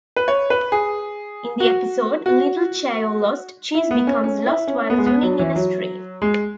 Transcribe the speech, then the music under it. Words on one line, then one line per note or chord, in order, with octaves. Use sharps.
In the episode "Little Chao Lost", Cheese becomes lost while swimming in a stream.
B4
C#5
B4
G#4
F#4
F#4
E4
B3
C#4
C#4
E4
C#4
B3
G#3
B3
F#3
E3
F#3
G#3